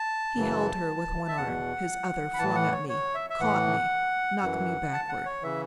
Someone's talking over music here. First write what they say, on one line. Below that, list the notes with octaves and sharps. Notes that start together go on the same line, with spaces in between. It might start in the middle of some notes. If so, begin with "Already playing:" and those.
He held her with one arm! his other flung at me, caught me, knocked me backward.
Already playing: A5
F#2 C#3 E3
E5
E2 B2 F#5
B5
A2 E3 A5
F#5
C#5
C#5
E5
E5
A2 E3 F#5
F#2 E3
A5
F#5
C#5
C#3 E3 E5